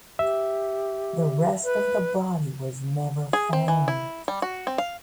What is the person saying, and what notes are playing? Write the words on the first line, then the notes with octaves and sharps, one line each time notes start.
The rest of the body was never found.
G4 E5
B4
G#4
C4
E3
E4
G3
F#4
C4
F5